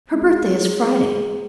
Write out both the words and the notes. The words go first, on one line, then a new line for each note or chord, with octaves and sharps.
Her birthday is Friday.
G#3